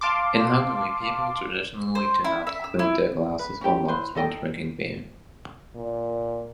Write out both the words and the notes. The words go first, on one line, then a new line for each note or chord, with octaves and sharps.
In Hungary, people traditionally do not clink their glasses or mugs when drinking beer.
F5 A5 C6 D6
C5
E4
E5
E6
E4
B4
C#4 D#4 G4 G5
E4 B4 C5
D#4 A4 D#5 G5
A#2